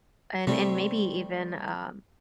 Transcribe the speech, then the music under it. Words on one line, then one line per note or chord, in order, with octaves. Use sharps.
And and maybe even, um,
C3 G3 A3 C4